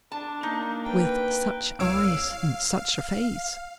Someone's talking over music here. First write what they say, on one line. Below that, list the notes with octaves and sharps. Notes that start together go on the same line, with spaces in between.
With such eyes in such a face!
D4 A5
A#3 D#4
B4 G5
C2 C#5 F5 E6 D7